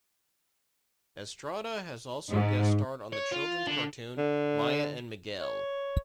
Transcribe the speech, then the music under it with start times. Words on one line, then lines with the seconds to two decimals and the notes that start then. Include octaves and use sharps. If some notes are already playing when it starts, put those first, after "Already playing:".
Estrada has also guest-starred on the children's cartoon "Maya and Miguel".
2.31 G#2
3.12 C#5
3.32 F4
3.67 D3
4.18 D3
5.41 C#5